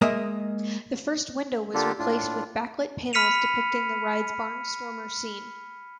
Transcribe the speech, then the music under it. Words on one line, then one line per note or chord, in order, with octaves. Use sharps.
The first window was replaced with backlit panels depicting the ride's barnstormer scene.
G#3 A#3 A#4 D#5 E5
D3 A#3 D4 F4 G4 A4
A2 D4 F4
B5 F6 B6 C#7 D#7 F7